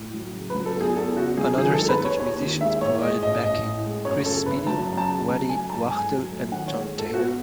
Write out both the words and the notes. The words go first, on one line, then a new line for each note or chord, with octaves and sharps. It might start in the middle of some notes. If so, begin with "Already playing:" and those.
Another set of musicians provided backing: Chris Spedding, Waddy Wachtel and John Taylor.
Already playing: A2
F#3
C#3
B4
F#3
A4
E2
G#4
E2 A4
C#3 F#4
F#3 G#4
D#3 G#4
A4
G#3
B4
D#2
C#5
D#2 C#5
D#3
G#3 E5
A2 C#5
G#3 D#5
A1 D#5
A1 D#5
A2
G#3
F#2 C#5
C#3 A4
F#1 B4
F#3 A5
F#2
A5
C#3
F#3 A5
A3 G#5
G#2 A5
G#2 G#5
F#3
A3
D#3 F#5
C#5
G#3
G#2
A4
B3 F#4